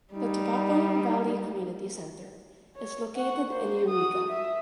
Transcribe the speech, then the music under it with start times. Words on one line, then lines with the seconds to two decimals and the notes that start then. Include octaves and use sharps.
The Tobacco Valley Community Center is located in Eureka.
0.13 G3 D#4
2.76 C#5
3.15 F#5 C#6
3.51 A#3 C5
3.88 F#4 D#6
4.29 E5